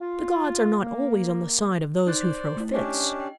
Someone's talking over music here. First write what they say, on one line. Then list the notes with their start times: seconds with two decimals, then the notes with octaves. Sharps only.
The gods are not always on the side of those who throw fits.
0.01 F4
0.81 A#3
2.07 D#4 C5 D5 F#6 A6
2.56 A3 E4
2.73 C#4 D4 G4 D#5
3.21 G5